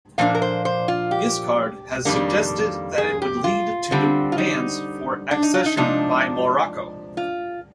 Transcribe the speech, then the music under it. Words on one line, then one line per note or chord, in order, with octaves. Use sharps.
Giscard has suggested that it would lead to demands for accession by Morocco.
A#2 F3 A#3 D4 F5
A#4
C5
C5
F4
G4
F2 D#3 G3 A#3 D4
G#4
G4
F4
D3 G3 C4
F4
D#4
D4
D#4
F4
D#4
C3 F3 G#3 D4 D#4
F4